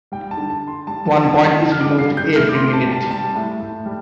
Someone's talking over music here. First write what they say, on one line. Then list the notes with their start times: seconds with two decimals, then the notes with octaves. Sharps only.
One point is removed every minute.
0.12 G3 G5
0.31 A5
0.37 D3
0.50 A5
0.62 D3
0.68 C6
0.87 G3 A5
1.05 A5
1.12 G3
1.24 A5
1.37 D3
1.42 A5
1.61 D3
1.72 F6
1.81 D6
1.86 G3
1.98 C7
2.10 G3
2.17 G6
2.35 A2 F6
2.49 D6
2.55 C6
2.61 A2
2.73 A5
2.85 G3
2.92 A5
3.10 G3 A5
3.36 A2
3.60 A2
3.86 G3